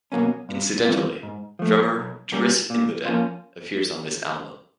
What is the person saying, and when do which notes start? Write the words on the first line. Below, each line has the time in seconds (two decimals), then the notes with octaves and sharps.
Incidentally, drummer Tris Imboden appears on this album.
0.12 B2 F#3 A#3 C#4
0.49 G2
0.85 E3 G3 C4 F4
1.23 G#2
1.59 F3 A3
1.96 B1
2.32 A#2 G3 A#3 C#4
2.70 A#2
3.06 F3 A#3 C#4 F4